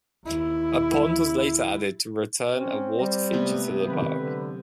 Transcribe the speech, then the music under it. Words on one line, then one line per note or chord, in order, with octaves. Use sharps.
A pond was later added to return a water feature to the park.
D#2 E4
C4 C#4
G3 D6 A#6
C3 G#3 A3 B3
D#3 F#3 G#3 C4 B4
D3